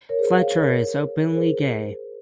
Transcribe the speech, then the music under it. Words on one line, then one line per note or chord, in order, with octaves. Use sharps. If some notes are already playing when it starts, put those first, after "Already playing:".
Fletcher is openly gay.
A#4 C#5
G#4 C5
C#5 F5
A#4 C#5
A#4
G#4 C5